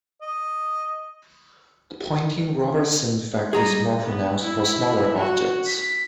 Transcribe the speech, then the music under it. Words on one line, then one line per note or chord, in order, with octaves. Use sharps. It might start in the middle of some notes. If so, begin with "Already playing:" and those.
The Poynting-Robertson effect is more pronounced for smaller objects.
D#5
G3 G#4 D#5 A#5
B3
E4
F#4
B6